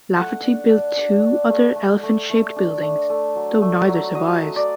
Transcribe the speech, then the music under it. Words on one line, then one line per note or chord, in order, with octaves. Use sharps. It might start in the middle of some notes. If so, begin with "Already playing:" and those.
Lafferty built two other elephant-shaped buildings, though neither survives.
A3 F#5
D4
D4
D4
D4
A3
A3
A3
A3
D4
A3
A3
F#3
A3
F#3
F#3 D#5
A3
D5